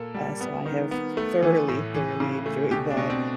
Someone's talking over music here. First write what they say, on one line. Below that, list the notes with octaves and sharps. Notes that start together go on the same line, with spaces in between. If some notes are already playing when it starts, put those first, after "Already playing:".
uh, so I have thoroughly, thoroughly enjoyed that,
Already playing: A#2 A#3 A4
G3
B3
D#3
B3
A3
E3
A2
E3
C#3
A3
B2 G4
D4
B2
C4